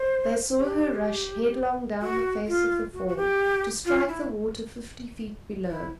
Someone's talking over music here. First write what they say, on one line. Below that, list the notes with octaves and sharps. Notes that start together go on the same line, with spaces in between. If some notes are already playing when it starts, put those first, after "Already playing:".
They saw her rush headlong down the face of the fall to strike the water fifty feet below.
Already playing: C5
G#4
G4
F#4
F4
F#4
F#4
G4
F4
E4
E4